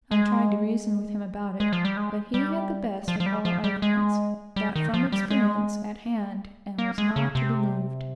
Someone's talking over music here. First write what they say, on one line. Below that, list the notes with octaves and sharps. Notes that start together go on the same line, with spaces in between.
I tried to reason with him about it, but he had the best of all arguments, that from experience, at hand, and was not to be moved.
G#3
G#3
F3
G3
G#3
G3
F3
F3
G3
F3
G3
G#3
G3
D#3
F3
G3
G#3
A#3
G#3
C#3
C3